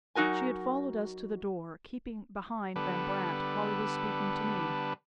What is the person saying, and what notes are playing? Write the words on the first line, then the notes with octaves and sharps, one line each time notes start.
She had followed us to the door, keeping behind Van Brandt while he was speaking to me.
F#3 D#4 F#4 A#4 G#5
D3 G3 B3 A4 B4